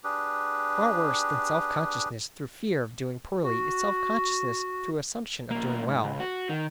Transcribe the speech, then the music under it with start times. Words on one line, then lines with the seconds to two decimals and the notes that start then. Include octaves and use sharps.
Far worse than self-consciousness through fear of doing poorly is self-consciousness through assumption of doing well.
0.04 D4 G4 G#4 B4
3.42 F#4
5.51 B1 A#3
5.89 G#2
6.04 C#2
6.20 F#4
6.49 D#3